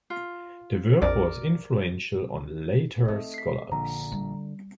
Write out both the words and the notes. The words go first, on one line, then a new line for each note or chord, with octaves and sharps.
The work was influential on later scholars.
F4
A#1 F2 A#4 D5
A3 C4 D#4 D#5
B6 C7
A#1 D3 A#5
G3